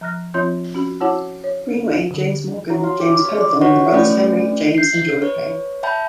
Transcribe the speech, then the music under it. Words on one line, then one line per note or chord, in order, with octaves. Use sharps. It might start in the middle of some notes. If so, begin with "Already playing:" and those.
Greenway, James Morgan, James Pennethorne, the brothers Henry, James and George Pain.
F3 A#5 F6 F#6 A#6
F3 C4 F4 C#5 C6 G6
C#4 F#4
E4 F#4 C#5 F#5 A5 E6
C#5
D3
F#3
F4
G4
C#5
D5
F4 F#4 B4 C#5 F#5 C#6
A3 C#4 F4 B4 D5 G5
G6 C7
B4 C#5
E5 G5 A5 B5 G6